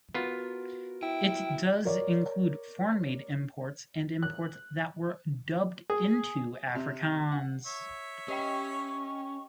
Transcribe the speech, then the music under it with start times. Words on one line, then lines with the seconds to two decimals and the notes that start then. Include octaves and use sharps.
It does include foreign-made imports and imports that were dubbed into Afrikaans.
0.14 B3 F4 F#4 A#4
1.03 E4 G5
1.85 A#4 C#5 D5
4.23 F#6
5.90 G#4
6.75 C3
7.32 F#5
7.67 C#5 E5
8.28 C#4 G4 D#5 G5 C#6